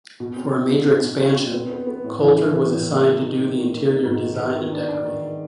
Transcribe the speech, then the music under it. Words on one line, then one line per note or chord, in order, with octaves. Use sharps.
For a major expansion, Colter was assigned to do the interior design and decorating.
B2
C4
B2
D#4
B2
B2
C4
C4
B3
B3
B3
A2
E3
E3
B3
A2
A#3
F3
D#4
D#4
A#3
A#3
D#4
G#2
D#3
B3
D#3
D4
D4
D#3
D#3